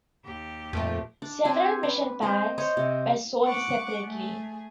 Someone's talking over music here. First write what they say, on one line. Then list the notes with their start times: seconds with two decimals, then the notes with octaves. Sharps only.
Several mission packs were sold separately.
0.24 D#2 G4
0.73 F2 A#2 F3 A3
1.22 D4
1.45 C4 C5 G#5
1.83 B4
2.22 C4 C5 D#5
2.58 C5 C#5 D#5
2.77 C3
3.45 F#5 C#6 D6
4.04 A3 G#4